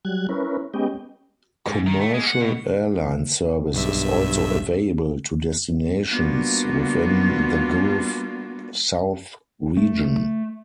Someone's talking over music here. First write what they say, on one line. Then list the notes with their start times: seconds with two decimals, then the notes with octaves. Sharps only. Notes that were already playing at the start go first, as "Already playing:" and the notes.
Commercial airline service is also available to destinations within the Gulf South Region.
0.05 F#3 G3 F#6 G#6
0.29 C#4 E4 A#4 B4 C#5
0.74 G#3 B3 C#4 G4 D#5 G5
1.67 G#2
1.87 D#3
2.01 A3
2.14 G#3
2.27 F#5
2.40 B2
3.74 B1 G2 E5
6.09 G3 A#3 B3 D4 F4 F#4
9.77 A3